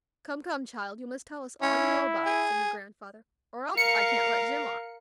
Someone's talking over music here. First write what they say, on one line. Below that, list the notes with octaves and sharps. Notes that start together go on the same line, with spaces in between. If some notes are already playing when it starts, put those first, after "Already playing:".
"Come, come, child, you must tell us all you know about it," said her grandfather, "or else I can't let Jim off."
C#4 E4
G#4
A#4 F5 C#7